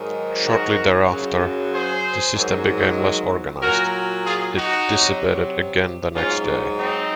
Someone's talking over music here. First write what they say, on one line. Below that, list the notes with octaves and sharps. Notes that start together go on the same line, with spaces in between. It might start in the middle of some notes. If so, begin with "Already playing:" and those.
Shortly thereafter, the system became less organized; it dissipated again the next day.
Already playing: G#2 D#3 F#3
F#4 A#4
F#2 C#3 F#3
G#4 C5
G#2 D#3 F#3
A#2 F#3 F#4 A#4
F4 G#4
D#4 F#4
C3 F#3
G#2 F#3 C#4 F4
C4 D#4